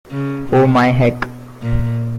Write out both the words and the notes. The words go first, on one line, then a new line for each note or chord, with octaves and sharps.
Oh my Heck!
C#3
B2
A#2